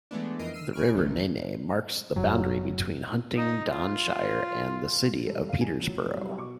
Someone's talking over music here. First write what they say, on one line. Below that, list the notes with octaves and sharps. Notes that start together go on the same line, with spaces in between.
The River Nene marks the boundary between Huntingdonshire and the City of Peterborough.
E3 G#3 A3 B3 D4
F2 E3 A#4 D#5 C7 D7
E6 F6 C7 D#7 E7
G#5 B5 C#6 F6 D7
B1 A2 D#3 A3
F#1 F#3
D#4
F4
G#1 G2 A4
F5 D#7
G#5
F#2 A2 F3 F#3
C2 F#3 G3
B2 C#6 D6